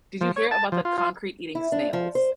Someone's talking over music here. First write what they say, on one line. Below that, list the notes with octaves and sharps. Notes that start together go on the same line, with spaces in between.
did you hear about the concrete eating snails?
F3
C#5
A5
F3
F4
F4
E4
D4
F3
C5